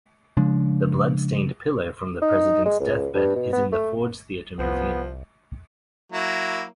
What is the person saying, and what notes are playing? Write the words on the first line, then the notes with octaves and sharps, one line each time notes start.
The blood-stained pillow from the President's deathbed is in the Ford's Theatre Museum.
C#3 F3 G#3 D4
D#4
G#3
C#2
G2
B2
B3
A3
C2 F3 B3
F#3 A#3 E4